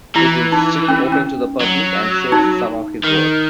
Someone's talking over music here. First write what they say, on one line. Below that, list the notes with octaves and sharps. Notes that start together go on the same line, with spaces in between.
It is still open to the public and shows some of his work.
E3 E4
D#4
C#4
C#4
F#3
D#4
D#3